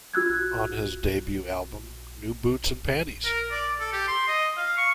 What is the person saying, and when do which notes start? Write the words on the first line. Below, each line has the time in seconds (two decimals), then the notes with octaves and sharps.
On his debut album, New Boots and Panties!!
0.14 F4 F#4 E6 F#6 G#6
3.25 A#4
3.52 D5
3.80 A4
3.93 G4
4.08 C6
4.28 D#5
4.57 F5
4.77 C#6